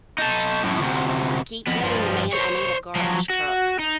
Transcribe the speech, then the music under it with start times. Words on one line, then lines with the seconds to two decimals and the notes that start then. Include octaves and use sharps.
I keep telling the man I need a garbage truck,
0.18 D#4 A4
0.63 F#2 A2
0.79 D2 C3
1.67 F2 B3
1.83 G2 F3
2.33 C5 C#5
2.95 F3 F#3
3.30 F#4
3.79 D#4